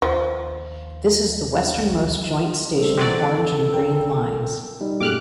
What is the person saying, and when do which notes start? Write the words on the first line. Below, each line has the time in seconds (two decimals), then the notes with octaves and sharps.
This is the westernmost joint station of Orange and Green lines.
0.02 D#2 F3
2.78 G3 A3 C4 A4
2.97 F2 C3 E3 F#3 D5
3.74 A#4 G5
4.81 G3 D#4
5.00 F#2 A#2 A3 G4 G#4 D6 F6 F#6